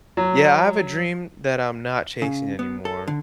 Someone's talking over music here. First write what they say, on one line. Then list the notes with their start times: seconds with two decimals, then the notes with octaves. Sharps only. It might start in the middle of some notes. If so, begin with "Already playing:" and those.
Yeah. I have a dream that I'm not chasing anymore.
0.17 F#3
2.22 C#3
2.59 B3
2.85 A4
3.08 D3